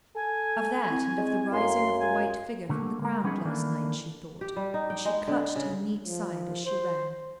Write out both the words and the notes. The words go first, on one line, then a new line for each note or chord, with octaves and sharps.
Of that, and of the rising of the white figure from the ground last night she thought, and she clutched her neat side as she ran.
A4 G#5
C4 E4 C#6
G#3
F#2 F5 A#5 C6
G#5
D3 A3 A#3
G#3 A#4
G3 B3 C#4 D#4 G#4
D#3 E3 A3 A#3 D4
G4
G3
D#4
G5
G#3
D3
C#3
F3
C5